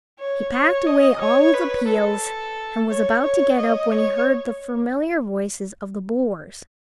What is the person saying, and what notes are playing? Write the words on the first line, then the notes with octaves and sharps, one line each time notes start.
He packed away all the peels and was about to get up when he heard the familiar voices of the boars.
C#5
C#5
D#5
C#5
B4
A4
C#5
C#5
D#5
C#5